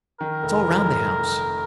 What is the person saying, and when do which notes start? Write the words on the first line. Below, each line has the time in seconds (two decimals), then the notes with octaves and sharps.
It's all round the house.
0.20 D#3 A#4
0.43 F1